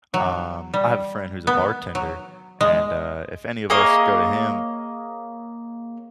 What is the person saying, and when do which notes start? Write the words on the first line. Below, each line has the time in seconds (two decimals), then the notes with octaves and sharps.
um, I have a friend who's a bartender, and, uh, if any of us go to him,
0.14 F#3
0.74 G3
1.47 B3
1.95 F#3
2.61 G#3
3.70 A#3 G#4 C#5 D#5